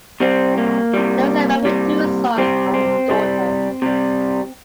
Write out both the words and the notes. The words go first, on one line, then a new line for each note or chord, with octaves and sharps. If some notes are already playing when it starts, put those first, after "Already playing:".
Low is married with two sons and a daughter.
C3 G3 C4
A#3
C3 G3
C3 G3
C3 G3 C4
C4
C3 G3
C3 G3